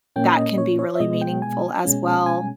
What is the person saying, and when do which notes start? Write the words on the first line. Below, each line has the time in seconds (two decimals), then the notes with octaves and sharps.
that can be really meaningful as well.
0.16 A#2 A#3 C#4 G5
0.37 D#5
0.58 C#5
0.79 C#5
0.95 E5
1.00 B2 G#3 B3 D#5
1.21 G5
1.42 G#5
1.84 B2 G#3 C#4
2.26 G#5